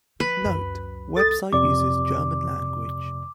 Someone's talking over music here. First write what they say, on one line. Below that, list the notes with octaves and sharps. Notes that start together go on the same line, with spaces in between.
Note- Website uses German language.
F3 B4
C#2 F#2
A4 D#6 A6
F2 C3 D5 D6